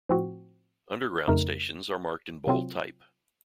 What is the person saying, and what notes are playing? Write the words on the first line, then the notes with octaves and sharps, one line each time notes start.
Underground stations are marked in bold type.
A2 F3 C4 F#4
F2 C#3 A3 D#4 A#4
C3 F#3 C4 F4